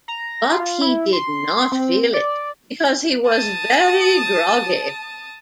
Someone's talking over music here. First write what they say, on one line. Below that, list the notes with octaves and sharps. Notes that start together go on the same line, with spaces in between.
But he did not feel it, because he was very groggy.
A#5
F4
E4
C6
C4
D5
A5 D#6